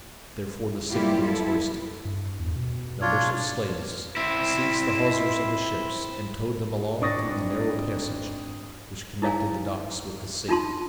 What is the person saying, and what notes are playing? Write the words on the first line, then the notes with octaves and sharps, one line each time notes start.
Therefore the signal was hoisted. Numbers of slaves seized the hawsers of the ships and towed them along through the narrow passage which connected the docks with the sea.
F#3 G3 A#3 E4 F4 G4
E4 A4
G2
E2
B2
D4 F4 C#5
C4 E4
G#1 D4 C#6 D#6 A6 A#6
D#4 E4 C#5 F5 G#5
D4 D#4 F4 A5 C6